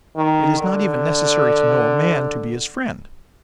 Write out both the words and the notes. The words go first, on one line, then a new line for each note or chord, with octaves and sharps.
It is not even necessary to know a man to be his friend.
D#3
D3